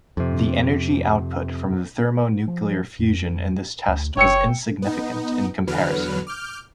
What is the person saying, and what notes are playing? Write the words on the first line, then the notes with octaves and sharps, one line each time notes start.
The energy output from the thermonuclear fusion in this test was insignificant in comparison.
F2 C3
F3
F2
D2
F#1 C#5 G5 E6 C#7
B3 D#4
E2 D3 F#3 B4 F6
D6 F6 G6